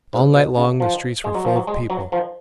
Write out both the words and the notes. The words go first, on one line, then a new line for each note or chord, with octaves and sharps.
All night long the streets were full of people.
G#2
B2
C#3
F3
G#3
F#3
F3
F#3
G#3
F#3
F3